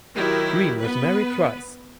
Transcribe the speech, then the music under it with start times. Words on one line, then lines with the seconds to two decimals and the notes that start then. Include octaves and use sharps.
Green was married twice.
0.16 D#3 F#3 E4 G4
0.80 B3 B4